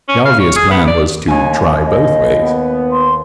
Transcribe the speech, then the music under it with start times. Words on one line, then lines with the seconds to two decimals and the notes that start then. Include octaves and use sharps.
The obvious plan was to try both ways.
0.08 C#4
0.25 F5
0.40 C#5
0.56 G#4
0.71 B3
0.88 D5
1.28 D#2 G#5
1.85 D#5
2.41 B3
2.91 C6